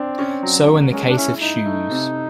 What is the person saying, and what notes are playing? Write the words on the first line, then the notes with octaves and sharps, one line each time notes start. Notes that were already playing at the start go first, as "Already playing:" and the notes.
So in the case of shoes.
Already playing: C4 D4
C#4
F#3
A#3
G#3 C#4
D4
C#4 E4
D#4 E4
A3
C3